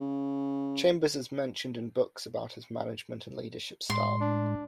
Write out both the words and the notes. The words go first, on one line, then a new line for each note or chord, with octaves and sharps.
Chambers is mentioned in books about his management and leadership style.
C#3
A2 G#3 C6
D4